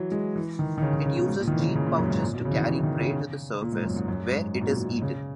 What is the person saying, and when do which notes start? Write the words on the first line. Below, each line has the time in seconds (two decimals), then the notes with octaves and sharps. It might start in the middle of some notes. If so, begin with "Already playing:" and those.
It uses cheek-pouches to carry prey to the surface, where it is eaten.
Already playing: E3 F#3
0.12 G#3
0.36 E3
0.59 D#3
0.78 D#3
0.82 C#3
0.93 D#3
1.06 C#3
1.17 B2
1.28 G#2
1.40 A#2
1.47 D#3
1.52 E3
1.58 C#3
1.63 D#3
1.75 C#3
1.87 A#2
1.98 F#2
2.10 G#2
2.22 A#2
2.34 B2
2.45 C#3
2.51 E3
2.57 D#3
2.68 E3
2.79 E3
2.83 D#3
2.99 C#3
3.62 A#2
3.73 G#2
3.85 F#2
3.96 G#2
4.08 F#2
4.31 G#2
4.55 G#2
4.61 B2
4.67 A#2
4.78 B2
4.90 B2
5.02 C#3